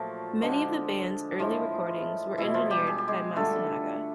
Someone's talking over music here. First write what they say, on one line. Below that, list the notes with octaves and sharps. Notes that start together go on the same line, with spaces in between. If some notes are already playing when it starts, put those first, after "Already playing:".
Many of the band's early recordings were engineered by Masunaga.
Already playing: A#2 F3 F#3 A3 F4
D3 F3 G#3
A2 E3 F3 G#3 F4
B2 E3 G#3 E4
F3 F4
G3 G4
G#4
G4
G#3 G#4
D3 G3 A3 A4